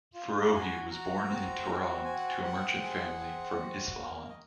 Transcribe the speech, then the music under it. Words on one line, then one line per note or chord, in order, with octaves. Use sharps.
Foroughi was born in Tehran to a merchant family from Isfahan.
F4
F#4 G#5
F#4 A#5
C4
F#4
C4 G#5
F#5
G#5
C4 F#5
G#4
C4
F#4
A#3
D#5